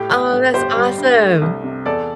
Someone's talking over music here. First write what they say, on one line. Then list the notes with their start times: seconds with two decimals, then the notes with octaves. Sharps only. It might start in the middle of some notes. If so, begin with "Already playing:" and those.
Oh, that's awesome.
Already playing: A2 G4
0.11 A1
0.33 A2
0.54 G1 G4 C5
0.76 G3
0.98 G2
1.20 A3
1.41 C2
1.64 C3
1.86 E2 A4 D5